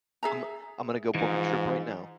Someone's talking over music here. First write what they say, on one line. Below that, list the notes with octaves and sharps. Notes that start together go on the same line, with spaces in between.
I'm I'm gonna go book a trip right now.
G#4 E5 A#5
G#2 E3 F3